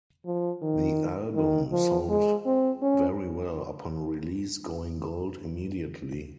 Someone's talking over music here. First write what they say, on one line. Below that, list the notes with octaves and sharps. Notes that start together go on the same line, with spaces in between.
The album sold very well upon release, going Gold immediately.
F3
D#3
D#3
F3
G#3
C4
C#4